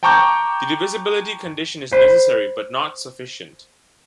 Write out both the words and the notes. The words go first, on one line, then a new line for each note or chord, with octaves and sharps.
The divisibility condition is necessary but not sufficient.
G5 A5 A#5 C#6 D6 G6
C5 B5